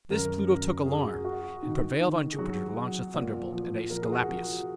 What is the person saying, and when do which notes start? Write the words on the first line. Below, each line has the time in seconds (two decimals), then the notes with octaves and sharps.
At this Pluto took alarm, and prevailed on Jupiter to launch a thunderbolt at Aesculapius.
0.10 F#2 A#4
0.48 F#2
0.86 F#4 G#4
1.24 F#4
1.63 D#3
2.00 D#3
2.32 G#4
2.38 F#3 F#4
2.76 F#3
3.14 A#2
3.53 F3
3.90 F3 A#4
4.02 G#4
4.12 F#4
4.24 F3 G#4